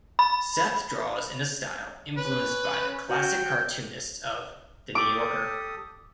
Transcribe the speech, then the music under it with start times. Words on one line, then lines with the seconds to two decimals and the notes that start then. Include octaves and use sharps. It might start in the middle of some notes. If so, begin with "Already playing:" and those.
Seth draws in a style influenced by the classic cartoonists of "The New Yorker".
0.19 B5
2.17 C#4 B4
3.09 F#4 G5
4.95 G4 A4 D6 D#6